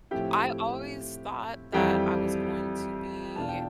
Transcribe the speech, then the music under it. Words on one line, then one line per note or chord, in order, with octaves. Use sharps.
I always thought that I was going to be,
A2 F3 C4 E4 G4 G5
F2 E3 G3 C4 E4 G4 G5
E2 B2 B3 D4 F4 A5
G5